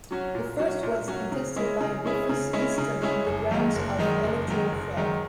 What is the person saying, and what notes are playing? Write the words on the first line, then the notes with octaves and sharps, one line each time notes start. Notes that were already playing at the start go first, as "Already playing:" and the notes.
The first was contested by Rufus Easton on the grounds of electoral fraud.
F#3 C#4 F#4
A#2
F#3 C#4 F#4
A#2
F#3 C#4 F#4
C#3
G#3 C#4 E4 G#4
C#3
G#3 C#4 E4 G#4
C#3
G#3 C#4 E4 G#4
C#3
G#3 C#4 E4 G#4
F#1
F#2 D#3 G#3
F#1
F#2 D#3 G#3
F#1
F#2 D#3 G#3
F#1
F#2 D#3 G#3